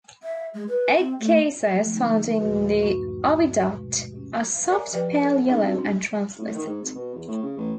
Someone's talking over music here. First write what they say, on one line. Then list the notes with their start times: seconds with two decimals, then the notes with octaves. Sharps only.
Egg cases found in the oviduct are soft, pale yellow and translucent.
0.23 E5
0.54 G#3
0.69 B4
0.99 C4
1.19 A3
1.74 D#3 F3 G#3 A3 B3 G4
1.92 D3 D#4
2.37 D#2 A#2 D#3 F#4 B4
2.82 G2 F#4 C#6
3.71 B2 G#3
4.12 C#4 G4
4.69 A#4 C#5 D5 E5 G#5 A#5
4.92 F3 G4 B4 D5 G5
5.22 A4 C#5
5.48 C#4 D#4 G#4 D#5 F5
5.61 C4 F#4
5.78 D4
6.38 A2
6.55 D#3
6.66 G#2
6.82 G#1
6.95 B2
7.15 E2
7.28 A2
7.43 C#3
7.57 A1